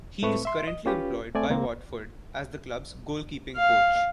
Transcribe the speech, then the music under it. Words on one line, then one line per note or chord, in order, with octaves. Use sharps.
He is currently employed by Watford as the club's goalkeeping coach.
A2 A3 C4 B4 C#6
E5 C6
D#5
C#4 F4 G4 B4
A3 C4 D5 G#5
C#2 A#3 C4
F5